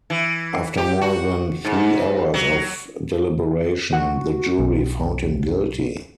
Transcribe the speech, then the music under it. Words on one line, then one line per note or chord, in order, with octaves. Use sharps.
After more than three hours of deliberation the jury found him guilty.
E3
G4
F#4
G#2
F#3
F#4
B1